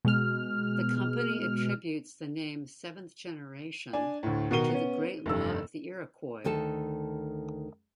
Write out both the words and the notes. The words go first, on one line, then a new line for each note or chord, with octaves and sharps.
The company attributes the name "Seventh Generation" to the "Great Law of the Iroquois".
B2 G#3 F6
D4 G#5
D2 A2
B2 D#3 F#4 A#4 D#7 G7
B3 C#4
F1 G2 E6
D2 D#3 A4 A5